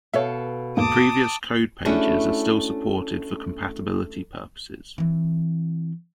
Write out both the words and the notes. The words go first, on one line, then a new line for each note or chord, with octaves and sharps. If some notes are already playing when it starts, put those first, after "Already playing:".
The previous code pages are still supported for compatibility purposes.
B2 A4 C#5 E5 F5
E2 G#2 A#3 A5 D6 D#6
A3 C#4 D4 E4 F#4 G#4
E3 C4